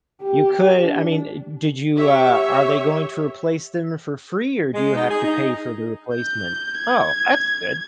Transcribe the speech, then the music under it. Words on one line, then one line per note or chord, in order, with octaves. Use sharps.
you could I mean, eh, did you, uh, are they going to replace them for free or do you have to pay for the replacement? Oh, that's good.
G4
D4
G4 C#5 E5
G#3
D#4
G#4
D#4
G6
G#6